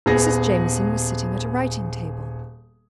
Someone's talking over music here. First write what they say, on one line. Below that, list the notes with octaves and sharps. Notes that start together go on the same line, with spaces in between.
Mrs. Jameson was sitting at a writing-table.
D#1 B3 G#4 A#6